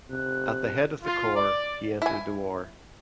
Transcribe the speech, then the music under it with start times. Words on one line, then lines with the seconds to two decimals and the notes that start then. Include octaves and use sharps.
At the head of the corps he entered the war.
0.10 C3 F#6
1.04 F4
1.34 D5
2.02 E4 G#5